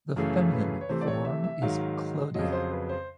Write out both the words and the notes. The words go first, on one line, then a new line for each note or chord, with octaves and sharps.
The feminine form is Clodia.
F#2 C#3 E3 A3
B4
C#5
C3 E3 A3 C5
D5
C#5
E5
E5
G#2 D#3 F#3 F5
F2 C#3 F#3 D#5
C5
B4
C5